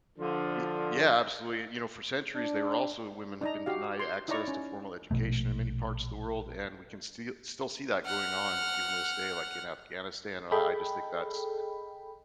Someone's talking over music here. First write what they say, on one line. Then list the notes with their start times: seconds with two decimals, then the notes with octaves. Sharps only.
Y Yeah, absolutely, and you know, for centuries, they were also women have been denied access to formal education in many parts of the world, and we can stee still see that going on, even to this day, like, in Afghanistan, and I I just think that's
0.19 D3 F3
2.36 D4
3.41 D4 D#4 A#5
3.66 F#4 G4 F5
4.00 C6
4.28 D#4 E4 C#5 D5 A#5 C#6
4.48 C#4
5.11 A#1 B2 A3
8.05 F#5 F6
10.51 G#4 A4 D#5 G5 B5